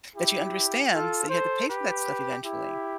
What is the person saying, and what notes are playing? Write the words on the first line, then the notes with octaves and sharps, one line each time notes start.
that she understands that you had to pay for that stuff eventually,
E4 G4
F4 A4
A4 C5
G4 B4
E4 G4